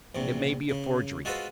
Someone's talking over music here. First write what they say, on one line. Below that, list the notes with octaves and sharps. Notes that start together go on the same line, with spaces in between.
It may be a forgery.
A#1 E2 C3
C#3
G#3 F4 F#4 A4 B4 C5